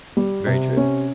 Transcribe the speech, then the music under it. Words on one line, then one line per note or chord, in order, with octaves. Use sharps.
Very true.
G3
C3
C#4